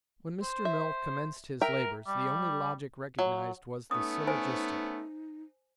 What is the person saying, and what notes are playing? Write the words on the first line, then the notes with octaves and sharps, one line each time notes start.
When Mr. Mill commenced his labors, the only logic recognized was the syllogistic.
C5
E5
A#4 E5 G5 A#5
G3
F#3
A3 B3 C#4 D#4 D#6
C5 G#5